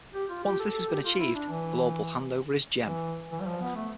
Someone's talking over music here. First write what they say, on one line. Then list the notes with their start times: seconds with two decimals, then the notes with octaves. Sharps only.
Once this has been achieved, the lord will hand over his gem.
0.14 G4
0.30 F4
0.44 G4
0.60 A4
0.75 A4
0.89 G4
1.05 F4
1.19 E4
1.35 D4
1.50 E3
2.85 E3
3.32 E3
3.40 G3
3.46 F3
3.62 B3
3.76 A3